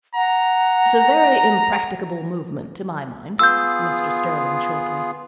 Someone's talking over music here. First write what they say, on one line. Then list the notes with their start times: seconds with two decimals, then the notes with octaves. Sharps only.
"It's a very impracticable movement, to my mind," said Mr. Sterling shortly.
0.15 F#5 A#5
3.39 B3 F4 G#4 E6 G6